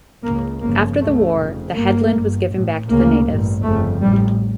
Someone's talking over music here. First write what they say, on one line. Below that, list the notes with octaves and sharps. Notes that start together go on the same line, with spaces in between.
After the war, the headland was given back to the natives.
C#2 C#3 A#3
G1 F2 C#3 A#3
C#2 C#3 A3
F1 F2 C#3
G1 G2 A#3
G1 G2
A1 A2
D2 C#3 A#3
A1 G2
G1 F2 C#3 A3
A1 A2 G3